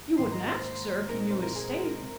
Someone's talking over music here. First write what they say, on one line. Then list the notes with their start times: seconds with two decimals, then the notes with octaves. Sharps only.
'You wouldn't ask, sir, if you knew his state.
0.17 G#2 D#3 A#3 D#4 C6
0.32 A#5
0.48 C5
0.63 C5
1.09 A#2 G#3 C4 D#4 A#4
1.30 C5
1.43 A#4
1.56 G#4
1.70 G#4
1.85 A#4
2.02 C3